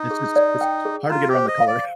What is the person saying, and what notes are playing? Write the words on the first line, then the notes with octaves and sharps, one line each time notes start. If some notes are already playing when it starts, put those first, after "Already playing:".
It's just it's hard to get around the color.
Already playing: D#4
G#4
D5
G5
G#4
F4 A#5
G4
C5
D#5
F5
D5